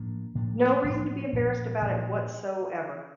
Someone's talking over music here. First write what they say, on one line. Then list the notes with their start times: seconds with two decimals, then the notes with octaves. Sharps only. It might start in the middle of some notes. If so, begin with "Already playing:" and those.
No reason to be embarrassed about it, whatsoever.
Already playing: A2 F3 A#3 D4
0.35 A2 F3 A#3 D4
0.84 A2 F3 A#3 D4
1.33 A#2 F3 A#3 D4
1.81 A#2 F3 A#3 D4